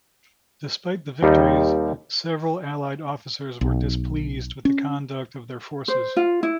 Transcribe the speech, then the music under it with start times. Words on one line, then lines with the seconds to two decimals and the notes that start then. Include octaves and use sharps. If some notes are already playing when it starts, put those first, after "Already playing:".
Despite the victories, several allied officers were displeased with the conduct of their forces.
1.23 D#2 G3 D#4
3.61 B1
4.65 C#4
5.88 C5
6.17 F4
6.43 E4